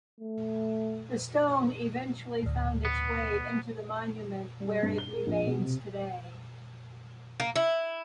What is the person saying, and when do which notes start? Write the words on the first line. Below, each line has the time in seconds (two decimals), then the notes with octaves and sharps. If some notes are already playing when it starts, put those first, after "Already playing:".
The stone eventually found its way into the monument where it remains today.
0.20 A3
2.43 D2 A2
2.85 B3
4.60 G3
4.83 G2
4.98 G7
5.13 A#4
5.27 A#1
5.47 B2
5.62 C3
7.40 A#3
7.56 E4